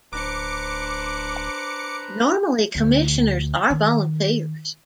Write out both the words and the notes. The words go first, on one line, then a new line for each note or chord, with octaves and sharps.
Normally, commissioners are volunteers.
D1 D4 B4 C5 A#5 D6 C#7
D2
D#3